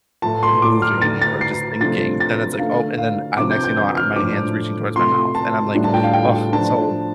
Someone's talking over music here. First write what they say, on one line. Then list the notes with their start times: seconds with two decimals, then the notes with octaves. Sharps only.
moving or just thinking, then it's, like, "Oh", and then I next thing you know, uh, my hand's reaching towards my mouth, and I'm, like, "Ugh." So,
0.22 A2 A3 F4 A5
0.43 C6
0.62 D6
0.82 F6
1.02 D3 A3 D4 A6
1.22 A6
1.41 C7
1.80 C3 F3 A3 D4 F4 A6
2.20 A6
2.59 D3 A3 D4 F5
2.98 F5
3.37 C3 F3 D4 F4 D6
3.51 G6
3.64 G6
3.77 G6
3.97 F6
4.16 A2 F3 D4 D6
4.96 C3 A3 F4 C6
5.35 A5
5.74 A2 G3 D4 F4
5.84 A5
5.94 G5
6.03 F5
6.13 G5
6.53 F3 A3 D4 A5